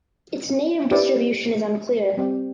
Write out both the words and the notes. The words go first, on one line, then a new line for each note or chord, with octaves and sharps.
Its native distribution is unclear.
E4 G4 B4 D5
G3 C4 G4 D5 G5